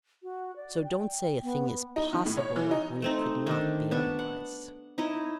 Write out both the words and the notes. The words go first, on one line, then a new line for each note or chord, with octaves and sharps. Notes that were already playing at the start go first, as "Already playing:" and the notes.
So don't say a thing is possible, when it could not be otherwise.
F#4
D5
G5
B3
D#4
D#3
A2
C#5
E3
D#4
A3 C4 D#4
D#3 D4
B3 D4 C#6
F#5
D#4 E4 C#5 D#5